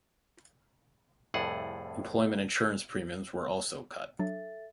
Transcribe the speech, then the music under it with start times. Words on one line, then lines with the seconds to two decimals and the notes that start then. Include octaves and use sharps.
Employment Insurance premiums were also cut.
1.34 C2 F2 A2 G#4 F#5
4.19 F#3 D4 A4 E5 A6